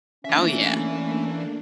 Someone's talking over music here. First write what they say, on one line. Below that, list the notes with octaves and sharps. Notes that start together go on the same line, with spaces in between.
Oh yeah.
E3 A3 A#3 C#4 D4 E5